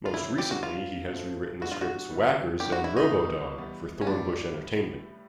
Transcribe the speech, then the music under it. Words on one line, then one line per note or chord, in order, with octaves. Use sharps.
Most recently he has rewritten the scripts "Whackers" and "Robodog" for Thornbush Entertainment.
F4
E2 C#3 F#3 A#3 C#4 E4
G4
F#4
F#3 B3 D4 F4
A2 F3 A3 C4 D#4
A#2 G3 B3 D4 F#4
F4
F#4
C3 D#3 G3
B2 F#3 A#3 D4 G4
F#4
E4
D#4
B2 G3 A#3
E3 G3 B3
C#4
A2 E3 G3 B3 D4